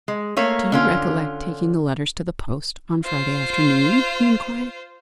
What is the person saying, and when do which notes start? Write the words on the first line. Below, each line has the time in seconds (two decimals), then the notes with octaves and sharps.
"Do you recollect taking the letters to the post, on Friday afternoon?" he inquired.
0.08 G#3
0.37 A3 A#3 C#5
0.72 D3 C#4 F4
3.04 F4 C5